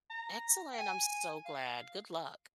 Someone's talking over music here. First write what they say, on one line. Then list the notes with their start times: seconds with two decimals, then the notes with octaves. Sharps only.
Excellent, I'm so glad. Good luck.
0.10 A#5
0.74 G5
0.78 G#5
1.46 F5